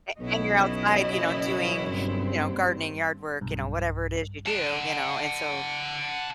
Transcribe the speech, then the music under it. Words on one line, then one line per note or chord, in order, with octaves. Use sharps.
And and you're outside, you know, doing, you know, gardening, yard work, you know, whatever it is you do, you know, and so,
B1 B2 C#4 E4 D#5
F#1
G2 C4
B1 G2
F#5 A5